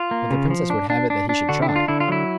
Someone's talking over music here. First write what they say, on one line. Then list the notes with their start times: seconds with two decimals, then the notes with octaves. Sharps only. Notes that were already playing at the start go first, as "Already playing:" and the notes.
But the princess would have it that he should try.
Already playing: F4
0.11 A#3
0.30 C#3
0.50 F3
0.70 D4
0.90 D4
1.10 D4
1.29 D4
1.49 D3 F#4
1.62 E4
1.69 D4
1.76 F4
1.88 D3 E4
2.00 F4
2.08 F#3 E4